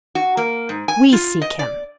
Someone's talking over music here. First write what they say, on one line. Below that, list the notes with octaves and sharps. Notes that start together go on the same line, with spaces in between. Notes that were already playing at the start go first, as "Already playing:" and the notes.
We seek him.
F#4
A#3
G#2
G#5
F4
D#5
D5